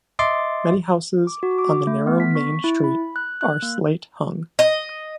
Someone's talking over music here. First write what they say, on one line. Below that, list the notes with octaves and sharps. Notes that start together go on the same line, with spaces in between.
Many houses on the narrow main street are slate hung.
D#5 E5 C6 D6 A6
D6
F#4
D6
A3
B3
B6
C#6
E4
B5
F#6
F#6
A#3
D#5